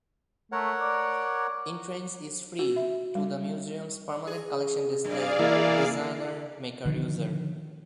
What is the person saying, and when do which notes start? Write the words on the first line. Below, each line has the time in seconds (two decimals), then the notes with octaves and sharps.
Entrance is free to the museum's permanent collection display, "Designer Maker User".
0.52 A3 A#4 C#5 F#5
0.80 D5
2.59 F#4
2.76 E5
3.15 G3
4.27 G#4
5.05 F#2 B2 A#3 G#4 D5 F5
5.39 B2 E3 G#3 A#3 E4
6.85 D3 D#3 F3